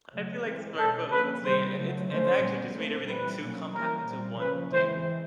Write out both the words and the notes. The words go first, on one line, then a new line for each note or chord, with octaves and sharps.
I feel like smartphones, they, uh i it's it's actually just made everything too compact into one thing.
C#3 F#3 A3
E3 G#3 C4
B2 G#3 C#4 A4
D3 F3 A#3 C#4 B4
C3 D#3 G3 C4 C5
C#3 F#3 A3
D3 F3 A3 C#4 C5
A#2 G3 B3
A#2 F3 A3 C4
E3 G3 C4 B4
B2 F#3 A#3 C#4
E3 G3 A#3 C#4 A#4
A#2 G3 C4
C#3 F3 A#3 C#4 B4
E3 G#3 C4 C5